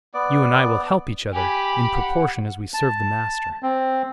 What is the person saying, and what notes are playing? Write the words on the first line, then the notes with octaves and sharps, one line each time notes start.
You and I will help each other, in proportion as we serve the Master.
B3 D5
G4 G#5 B5
F#5
A5
C4